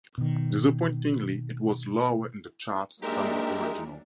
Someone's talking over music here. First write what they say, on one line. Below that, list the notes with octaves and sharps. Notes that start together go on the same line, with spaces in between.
Disappointingly it was lower in the charts than the original.
B2 D#3
F#3 G#3 A#3 D4 D#4 G4 A#4 E5